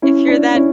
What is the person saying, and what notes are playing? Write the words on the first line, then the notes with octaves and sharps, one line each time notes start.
If you're that
C#4 E4
D4
C#4 E4